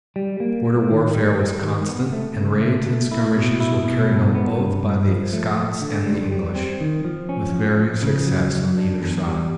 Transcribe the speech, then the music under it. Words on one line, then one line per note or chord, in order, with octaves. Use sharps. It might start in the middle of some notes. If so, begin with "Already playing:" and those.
Border warfare was constant and raids and skirmishes were carried on both by the Scots and the English, with varying success on either side.
G3
A#3
A#3
D#3
G3
G3
D#3
B3
A3
C#3
A3
A3
E4
B2
E4
B2
G2
B3
G2
G2
F3
A3
A3
D3
G3
G3
C4
D#3
F3
C#4
F3
F3
C#3
F#3
F#3
D4
E2
G3